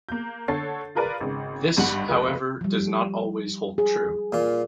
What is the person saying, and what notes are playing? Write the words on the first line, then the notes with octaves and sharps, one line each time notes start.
This, however, does not always hold true.
A#3 G6
D3 A4 C#5 A6 C7
F4 G#4 A#4 B4 D5
G#1 C#3
G#1 G2 F#5 F#7
F1 C#2 F4 B4
F3 G3
G#4
A#2 F4